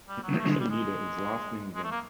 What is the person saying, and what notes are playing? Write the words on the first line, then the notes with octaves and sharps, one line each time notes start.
The union leader is Lars Lindgren.
G3
F#3
A3
G#3
G3
G#3
G#3
A3
A#3